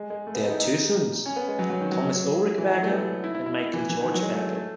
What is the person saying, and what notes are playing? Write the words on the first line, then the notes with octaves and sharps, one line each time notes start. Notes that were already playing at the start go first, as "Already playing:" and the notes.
They had two sons, Thomas Ulrich Berger and Michael George Berger.
Already playing: G#3
G#3
A3
B3
D#4
E4
D#4
C#4
B3
G#3
F#3
F#3
D#3
F#3
E3
G#3
F#3
A3
B3
E4
E4
E4
E3
E3
D#3
F#3
G#3
A3
A3